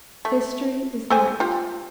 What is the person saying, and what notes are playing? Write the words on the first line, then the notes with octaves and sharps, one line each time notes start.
History is night.
A3
A4 C5 G#5
F4 G4